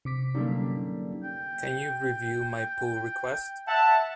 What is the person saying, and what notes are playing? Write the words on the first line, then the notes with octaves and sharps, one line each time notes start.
Can you review my pull request?
C3 D6 B6
G2 D3 F#3 A#3 C#4 D#4
G5
E5 F#5 A5